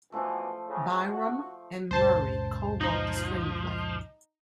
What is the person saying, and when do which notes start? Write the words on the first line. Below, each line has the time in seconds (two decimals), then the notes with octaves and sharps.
Byrum and Murray co-wrote the screenplay.
0.12 B2 D3 E3 F3 A3
0.69 A2 C#3
1.09 F#4
1.91 C#2 F#2 A#2 C5 A5
2.81 F3 D#4